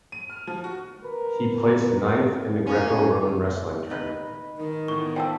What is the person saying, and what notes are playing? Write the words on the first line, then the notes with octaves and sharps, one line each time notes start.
He placed ninth in the Greco-Roman wrestling tournament.
D#7
F6
F3
F#4
A#4 B4
A#3 C#4
D#4 B4
D#3
A2 E3 B3 C#6
B3 F4 C5 D5 G5 A5 E6